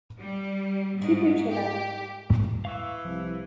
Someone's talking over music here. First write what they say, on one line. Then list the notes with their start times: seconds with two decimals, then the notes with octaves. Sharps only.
Keep your chin up.
0.18 G3
0.98 G#2
1.49 G4
2.65 E3 F5 C#6 E6
3.05 C2 F3